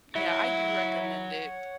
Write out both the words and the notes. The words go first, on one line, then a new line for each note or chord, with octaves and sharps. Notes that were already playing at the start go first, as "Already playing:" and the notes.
Yeah, I do recommend it,
F#3 E4 C#5 F#5